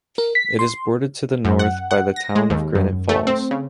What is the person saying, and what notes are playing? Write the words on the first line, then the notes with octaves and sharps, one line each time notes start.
It is bordered to the north by the town of Granite Falls.
A#4
B6
C6
F#2
F#5
F#5
A#6
G#3
D#2
F#2
A3
C4
C#3